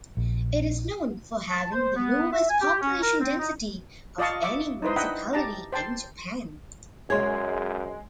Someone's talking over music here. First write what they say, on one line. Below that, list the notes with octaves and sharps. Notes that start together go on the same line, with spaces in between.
It is known for having the lowest population density of any municipality in Japan.
A#1
A5
C5
B3
E5
G#5
G4
C#4
A#4
C4
D#4
F4 D5 D#5 F5 A5 C#6
E5 C#6 D6
D#4 E4 B4 C5 D#5
D4 D#5 E5 F#5 G5 B5
G4 A5 A#5
C5 G5 A5 C6
F#2 G#3 G#4 C#5 C6 G#6